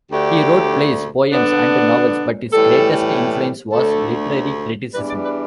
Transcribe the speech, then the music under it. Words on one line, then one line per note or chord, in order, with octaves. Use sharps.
He wrote plays, poems, and novels, but his greatest influence was literary criticism.
D2 D3 A3 D4 G4
D3 B3 D4
A2 E3 G3 A4
D2 D3 A3 A4
E2 E3 G3 D4 B4
D5
B4